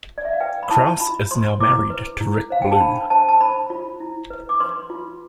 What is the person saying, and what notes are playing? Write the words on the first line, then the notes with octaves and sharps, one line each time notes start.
Crouse is now married to Rick Blue.
D5
E5
F5
B4 G5
B5
E4 A5
F4 B5
C5 C6
E4 D6
B4
E4
C5 F5
G5
A5
D4 B5
C5 A5
A5
C5 B5
F4
E4
B4
D6
B4 C6
F4